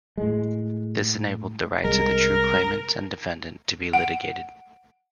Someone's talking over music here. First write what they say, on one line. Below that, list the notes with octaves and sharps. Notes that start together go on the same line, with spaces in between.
This enabled the rights of the true claimant and defendant to be litigated.
A2 G#3
C2 G#3 A#4
F#5